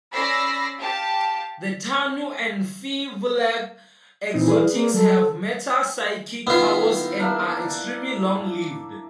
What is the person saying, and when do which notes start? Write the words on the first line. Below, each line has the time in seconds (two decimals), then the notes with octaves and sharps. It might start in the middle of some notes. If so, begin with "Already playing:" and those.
The Tanu and Firvulag exotics have metapsychic powers and are extremely long-lived.
0.12 C#4 D5 B5 E6 A#6 C7
0.78 G4 F5 A5
4.34 A#2 E3 C4 D#4
4.48 G#4 B4 D5
4.74 A#3
4.94 F#3 G3 A4
6.47 D#3 B3 E4 F4
7.20 A#3 D4 E5